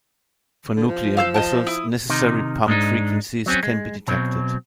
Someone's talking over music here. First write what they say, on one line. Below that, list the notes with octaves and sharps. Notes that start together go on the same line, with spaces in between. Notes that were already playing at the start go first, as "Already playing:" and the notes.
For nuclear vessels, necessary pump frequencies can be detected.
D3
F3
F5 E6 G6
D#5 G5 A5
E4 D#6
C3 D#3 D#4
G#2 G#3 D4 D#4
F#3 C4 C#4
G#3
B1 B2 F#3 C4